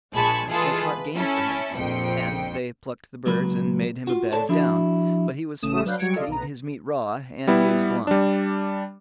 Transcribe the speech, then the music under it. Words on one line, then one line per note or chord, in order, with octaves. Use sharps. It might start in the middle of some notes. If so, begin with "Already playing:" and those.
They caught game for him, and they plucked the birds and made him a bed of down; but he was forced to eat his meat raw, and he was blind.
A#1 G#3 G#5 A5 B5 C#6
E3 G#3 F4 G#4 A4 B4
B4
C#4 E4 A4
A#1 F2 G5 C#7
C#2 F#3 A#3 B4
F4 F#4
A4 C#5 D5 A5
F3 D4 E4 F#4
A1 C#3 A3 D#6 E7
F#3 D4 B4 F5 F#6 G6
F#3 G3 G#6 C#7 D7
F4 A4 D5 D#5 F5
B1 B3 A#5
G3 B3 E4
G3 D4